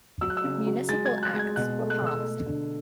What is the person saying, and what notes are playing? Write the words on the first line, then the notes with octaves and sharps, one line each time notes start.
Municipal acts were passed.
F#3 E6
F#6
E6
C#3
F#3
G#3 A6
G#6
G#3
F#6
G#3
G#6
B2 F#6
A3
F#6
B2
E6
A3
D3